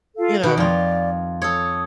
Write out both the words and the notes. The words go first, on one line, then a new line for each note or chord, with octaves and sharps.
You know.
F4 A4 F5
B2 D#3 F#4 B4 B5
F2 F4 D5
A4 C#5 D#6